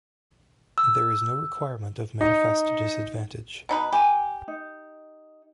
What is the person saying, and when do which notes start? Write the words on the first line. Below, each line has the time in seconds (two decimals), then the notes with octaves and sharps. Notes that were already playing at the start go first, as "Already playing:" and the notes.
There is no requirement of manifest disadvantage.
0.78 E6
2.21 D#4
3.69 B2 D#4 B4
3.92 G4 G#5
4.48 D#4